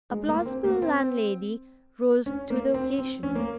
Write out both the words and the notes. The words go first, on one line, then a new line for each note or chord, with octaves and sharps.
A plausible landlady rose to the occasion.
G#3
A#3
C4
A#3
C4
C#4
A#3
C4
C4
C#4
A#3